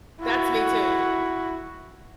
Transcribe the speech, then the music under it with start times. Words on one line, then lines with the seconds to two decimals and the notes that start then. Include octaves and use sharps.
That's me too.
0.20 E4 F#4